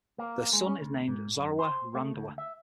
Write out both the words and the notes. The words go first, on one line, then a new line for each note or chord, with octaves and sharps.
Their son is named Zorawar Randhawa.
A#3
G#3
C#4
D2
G#2
F#2
C5
A3
D2
E5